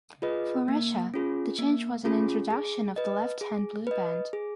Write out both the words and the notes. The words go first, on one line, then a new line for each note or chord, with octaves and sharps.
For Russia, the change was an introduction of the left-hand blue band.
F4 G#4 B4 D#5
A#3
C#4 F4 G#4
A#3
C#4 F4 G#4
G#4
B4 D#5
G#4
B4 D#5
G#4